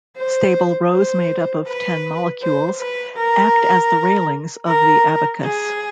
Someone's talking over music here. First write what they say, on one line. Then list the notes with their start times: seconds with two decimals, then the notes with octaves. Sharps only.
Stable rows made up of ten molecules act as the railings of the abacus.
0.17 C5
0.91 C5
1.67 B4
2.43 C5
2.80 B4
3.17 A#4
4.68 A#4
5.44 G#4